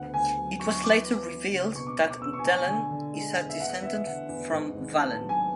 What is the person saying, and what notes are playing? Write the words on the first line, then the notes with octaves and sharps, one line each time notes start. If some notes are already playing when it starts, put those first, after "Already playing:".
It was later revealed that Delenn is a descendant from Valen.
Already playing: D2 B3 F#5
D2 G#5
F#3
F#3 C#6
C#6
E3 D6
B3
E3
C#3
B2 C#6
D6
B2 C#6
D6
E2 E6
C#6
G#5
B2 A5
G#5
D3 G#5
D3
G#3
E2
E5
E2 F#5
E2 E5
D3 F#5
E2
G#2
G#1
B3 A5
A5
F#3
G#5